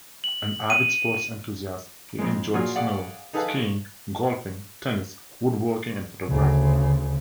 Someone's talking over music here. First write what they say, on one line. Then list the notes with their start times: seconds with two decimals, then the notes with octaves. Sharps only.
An avid sports enthusiast, he enjoyed snow skiing, golfing, tennis, woodworking and photography.
0.24 F#7
0.70 D#7
2.18 F2 G#3
2.54 A#2 F#3 F4 G#4
2.76 G#4 D5 F5 F#5
3.33 D#4 G#4 A4 B4 F5 A5
6.29 D2 C#3